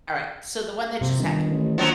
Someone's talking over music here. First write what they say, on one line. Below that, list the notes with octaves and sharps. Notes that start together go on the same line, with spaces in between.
Alright, so the one that just happened.
C3
G1 D#3
A1
A#1 F3 F#3